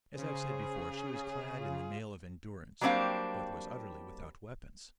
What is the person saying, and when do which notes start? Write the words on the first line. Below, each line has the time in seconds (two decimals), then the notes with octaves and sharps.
As I have said before, she was clad in the mail of endurance, but was utterly without weapons.
0.18 C#3 G#4 C5
1.12 C#4
1.58 F4
2.81 F#3 G3 A#3 C4 D4 F5